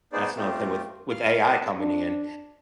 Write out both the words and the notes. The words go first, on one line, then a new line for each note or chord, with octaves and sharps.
That's another thing with with AI coming in,
B3 D#4 G#4 C5 D5
A3 C4 F4 G4
F5 F6
G4 A#4 D#5 F#5 A5
D4